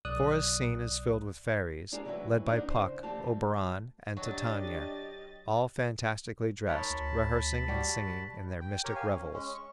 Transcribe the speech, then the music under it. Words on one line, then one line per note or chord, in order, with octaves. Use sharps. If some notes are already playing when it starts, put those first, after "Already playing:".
The forest scene is filled with fairies, led by Puck, Oberon and Titania, all fantastically dressed, rehearsing and singing in their mystic revels.
B1 D5 D#6 F#6
G#3 D4 E4 G4 G#4 A#4
D2 F#3 E4 F#4 B4 E5
G3 D4 D#4 F#5
C#3 C5
F2 A3 C4 G4 D5 A5
F#3 D4 G4 D#5 A6
D#4 A#4 C#5 A5 B5
D2
G3 F#4 G4
G5
G4 A#4 C#5
F5 G#5
C#4
G#3 C#4
C#6